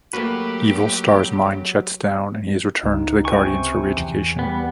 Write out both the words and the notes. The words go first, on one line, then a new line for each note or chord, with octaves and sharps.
Evil Star's mind shuts down, and he is returned to the Guardians for re-education.
F#3 A3 A#3 F#4 G4 B4
C#2 D#4
C3 B4 G5 G#5 C#6
E2
G3 B3